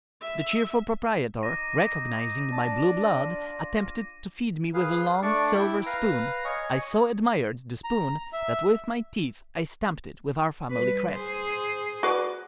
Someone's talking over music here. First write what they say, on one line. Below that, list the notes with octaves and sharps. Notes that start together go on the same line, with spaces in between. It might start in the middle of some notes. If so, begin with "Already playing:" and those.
The cheerful proprietor, recognizing my blue blood, attempted to feed me with a long, silver spoon; I so admired the spoon that with my teeth I stamped it with our family crest.
E5
D#4 D6 A#6 D#7
D4 A5
F4
G#4 B4 F5
A3 D4 D5 C#6
E4 E5 G5
B4 F5 A#5
C#5 D#5 G#5 C#6
A#5
E5
G3 B4
G#4 C5
F#4 B4 D5